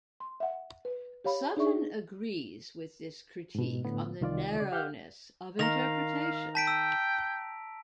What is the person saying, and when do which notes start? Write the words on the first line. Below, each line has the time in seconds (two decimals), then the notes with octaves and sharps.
Sutton agrees with this critique on the narrowness of interpretation.
0.20 C6
0.40 E5 F#5
0.85 B4
1.24 G4 C#5 F5 B5
1.57 D4 D#4 G#4 D5 E5 C#6
3.55 G#2 B2
3.85 A2 D3 B3
4.21 C2 D#3 F4 D5
4.60 C#3 D5
4.72 G4 F5 F#5 F6 G6
5.59 D#3 F5 A#5 A#6 F7
6.55 G5 A5 B6 D7
6.67 E6